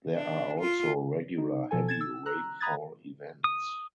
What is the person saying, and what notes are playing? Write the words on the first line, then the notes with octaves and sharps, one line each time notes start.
There are also regular heavy rainfall events.
D4
F4
D#4
B2 F3 A4 G#5
G#6 A6 E7
E6
A#5 E6 F#6
A#5 B5 D#6 F#6 G#6 A6
D#6